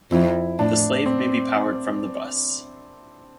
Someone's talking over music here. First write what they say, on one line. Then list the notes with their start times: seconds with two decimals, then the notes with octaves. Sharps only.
The slave may be powered from the bus.
0.11 F2 E4
0.59 A2 D4
1.06 C4